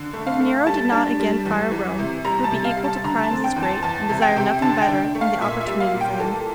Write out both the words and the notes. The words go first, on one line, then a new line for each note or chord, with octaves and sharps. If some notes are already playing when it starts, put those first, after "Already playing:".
If Nero did not again fire Rome he would be equal to crimes as great, and desire nothing better than the opportunity for them.
Already playing: D3
A3
F5
A3
G3 A5
D4
G3
E2
E3
C3
G3 A#5
A5
C3
F5
G3
A5
D3 A#5
A5
C4
G5
E2
A5
E2 A5
C3
G5
C3
D3 A5
G5
D4
A3
F5
A#2 E5
E5
G3
F5
A#2
G5
E3 A4